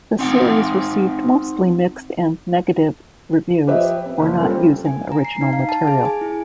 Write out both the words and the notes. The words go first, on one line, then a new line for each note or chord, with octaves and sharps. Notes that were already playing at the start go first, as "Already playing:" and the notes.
The series received mostly mixed and negative reviews for not using original material.
C4 D#4 F#5 G5
F3 G4 B4 D#5 E5
C4
F#1
G3 C4 C#4 F4 A4
G#5
A#5
C7
D#4
F5
A5
G#4
G#5
E4